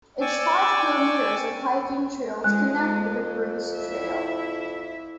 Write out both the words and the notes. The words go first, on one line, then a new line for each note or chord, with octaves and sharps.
Its five kilometers of hiking trails connect with the Bruce Trail.
D5 G5 G#5 C#6 D6 E6
F2 G#3 G#5 F#6
E4 E5